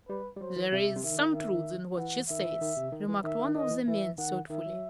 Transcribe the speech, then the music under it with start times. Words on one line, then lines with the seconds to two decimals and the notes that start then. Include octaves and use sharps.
"There is some truth in what she says," remarked one of the men, thoughtfully.
0.08 G3 B4
0.36 G3
0.41 F#3 C5
0.56 E3
0.72 C3 E5
0.96 C3
1.03 D#3 E5
1.19 D#3
1.34 E5
1.98 E3 F#5
2.29 D#3 E5
2.45 E3
2.61 D#3
2.77 C3
2.92 D#3
3.09 E3
3.24 D#3 E5
3.39 D#3
3.55 D#3 D#5
3.71 E3
3.87 E3 E5
4.18 D#3 F#5
4.49 D#3 E5
4.66 F#3